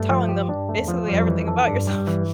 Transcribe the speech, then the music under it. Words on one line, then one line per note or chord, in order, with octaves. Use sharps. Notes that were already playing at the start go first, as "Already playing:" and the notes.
telling them basically everything about yourself.
Already playing: G2 A3
F3
G4
G2 D4
A3
E2
F3
F2 G3
E3
A4
G2 D4
G3
G2
E3